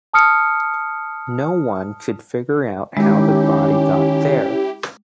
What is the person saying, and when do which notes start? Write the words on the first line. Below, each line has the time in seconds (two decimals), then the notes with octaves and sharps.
No one could figure out how the body got there.
0.13 A5 D#6 F6 C#7
2.97 D#3 G#3 C#4 E4 G4